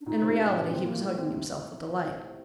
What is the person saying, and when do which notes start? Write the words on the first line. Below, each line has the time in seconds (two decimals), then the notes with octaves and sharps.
In reality he was hugging himself with delight.
0.01 D4
0.06 A#2 D#4
0.21 C3
0.28 A#2
0.38 D4
0.49 A2
0.70 A#2 C4
0.86 A#3
1.02 A3
1.18 C4